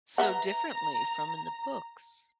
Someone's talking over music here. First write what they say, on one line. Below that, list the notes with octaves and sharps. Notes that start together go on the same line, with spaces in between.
so differently from in the books.
B4 E5 F#5 A#5